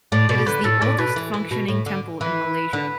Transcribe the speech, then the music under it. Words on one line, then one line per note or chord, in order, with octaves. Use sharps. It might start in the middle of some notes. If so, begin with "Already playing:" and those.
It is the oldest functioning temple in Malaysia.
A2 D5
B2 D5
D3 B4
A2 A4
A2 D5
D5
B2 B4
E3
E3
B2
A2
D3
E3 B4
D3 B4